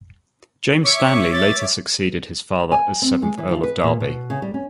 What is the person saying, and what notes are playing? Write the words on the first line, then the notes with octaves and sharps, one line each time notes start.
James Stanley later succeeded his father as seventh Earl of Derby.
C#5 E5 C#6 D6
A6
G#5
C4
G#3
E3
F3
B4
A#2
B2
C#3
G3
C#4